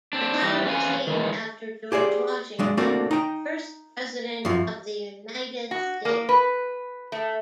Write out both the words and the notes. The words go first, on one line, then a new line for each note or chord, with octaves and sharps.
The town was named after George Washington, first President of the United States.
C4 D4
E3 G3
E2 C#4 B4 C5 F5 G#5
D#3 E3 G#3
G4 G#4 C5 D5
F#3 G#3 D4
A3 A#3 C4 D4 F#4
D#4 G5
F#2 F3
F#4
A#3
B4
A3